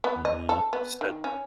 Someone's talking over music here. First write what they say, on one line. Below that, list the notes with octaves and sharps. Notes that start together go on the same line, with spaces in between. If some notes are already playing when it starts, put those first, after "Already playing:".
Mhm. Said
B3
D#5
A4
B3
D#3
C#4